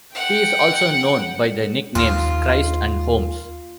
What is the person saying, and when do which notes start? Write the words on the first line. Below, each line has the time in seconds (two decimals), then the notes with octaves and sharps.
He is also known by the nicknames "Christ" and "Holmes".
0.14 F#5 G5
1.95 D#2 F4